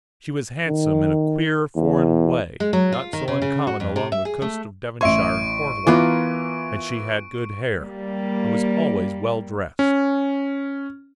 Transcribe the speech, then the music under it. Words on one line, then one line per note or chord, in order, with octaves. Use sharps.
She was handsome in a queer, foreign way not so uncommon along the coasts of Devonshire and Cornwall, and she had good hair, and was always well dressed.
D#3
E2
G#3
F#3
F4
D#3
C#3
C#3
F#4
F2
C3
E5
G#4
A3
A1 C#5 E5 C6 C#6 D7
E3 B3 F4 A#4 B4 D6
G3 A#3
C#4